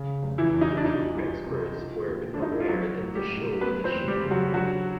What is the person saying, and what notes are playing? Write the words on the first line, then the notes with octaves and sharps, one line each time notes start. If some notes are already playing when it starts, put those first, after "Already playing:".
The true experts were unaware that the show was a sham.
Already playing: C#3
F1
E3 E4
E2
D#4
D4
F3 D#4
C2
C3
F3
D#2
D4
D3 D#4
E4
F4
F#3 F#4
A1
G3 G4
A2
F#3 B3 B4
C4 C5
E2
G3 G4
C#3
F#3 F#4
D3 F#3 F#4